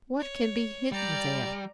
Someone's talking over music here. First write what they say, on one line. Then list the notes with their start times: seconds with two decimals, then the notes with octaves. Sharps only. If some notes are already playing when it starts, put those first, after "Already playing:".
What can be hidden there?
0.20 C#5
0.92 G3 D5 A#5